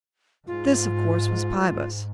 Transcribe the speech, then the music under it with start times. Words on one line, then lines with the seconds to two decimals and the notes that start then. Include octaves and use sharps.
This, of course, was Pybus.
0.47 G#2 F4